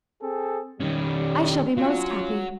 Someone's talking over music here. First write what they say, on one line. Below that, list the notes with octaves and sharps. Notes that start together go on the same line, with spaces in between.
"I shall be most happy."
C4 G#4 A4
D#3 G3 C#4
F#3 C#4 F4